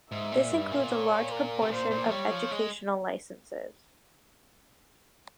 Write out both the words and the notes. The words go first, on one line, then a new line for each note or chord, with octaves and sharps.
This includes a large proportion of educational licenses.
G#2 E5
A#2
G2
A#2
C#5
A#4
C3
A#2 C5
A#2
F3
G3 C#5
F3
G#3